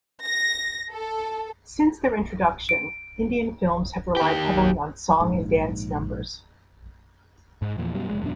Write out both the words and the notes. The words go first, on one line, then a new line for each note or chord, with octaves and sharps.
Since their introduction, Indian films have relied heavily on song and dance numbers.
A#6
A4
D7
D#3 G4
A#1 G#2
G#2
E2 A#2 F3
F#2 B2 F#3 G3
F1 D#2 G#3
E1 F#2 B2 D4